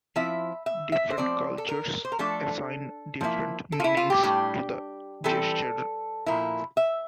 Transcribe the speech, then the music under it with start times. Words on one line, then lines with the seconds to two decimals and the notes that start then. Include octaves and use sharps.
Different cultures assign different meanings to the gesture.
0.16 F3 C4 E4 E5
0.66 E5
0.92 E5
1.10 C5
1.17 A2 F3 C4 D5
1.58 A4
1.68 A#4
2.05 C5
2.12 A#4
2.19 F3 A3 D4 A4
3.21 F3 A#3 E4
3.72 A4
3.80 F4
3.84 E4
3.97 F4
4.10 G4
4.23 A2 G3 D4
5.24 E3 G3 C4 A4
6.26 A#2 F3 A#3 E4
6.77 E5